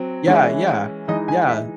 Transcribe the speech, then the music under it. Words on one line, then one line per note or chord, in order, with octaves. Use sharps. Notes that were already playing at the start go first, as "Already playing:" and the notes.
yeah yeah yeah, e
Already playing: F#3 C4
E3 G#3 C#4 E4
E3 G#3 D#4 D#5
G#5
E5